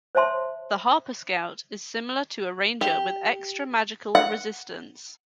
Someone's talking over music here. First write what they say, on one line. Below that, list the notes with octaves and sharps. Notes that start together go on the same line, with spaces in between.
The Harper Scout is similar to a Ranger with extra magical resistance.
C5 C#5 E5 A5 C6
G4
F#5